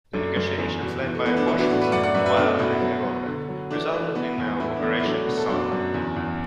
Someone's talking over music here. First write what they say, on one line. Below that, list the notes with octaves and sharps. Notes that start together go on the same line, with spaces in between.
The negotiations led by Boschwitz while in Ethiopia resulted in Operation Solomon.
F#2 A3 D4
F#2
E2
B2
E3
A3
E3 B3
D4
E3 B3 E4
D4 F#4
A2 D4 F#4
B4 E5
F#2 D5 F#5
D5 F#5
F#2 B4 E5
B4 E5
B2 A3 D4
B2 B3 E4
F#3
F#3
D3
F#3
E3 A3 D4
E3
E3 B3
E2
A2 B3 E4
D4
E3 B3
E4
F#3 A3 D4
B2
A4
F#2 D4 F#4
F#2
E2
E2